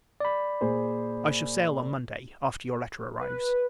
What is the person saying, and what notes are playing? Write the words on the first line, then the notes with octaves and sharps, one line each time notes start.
I shall sail, on Monday, after your letter arrives.
D5 B5
A#2 G#4 C5
B4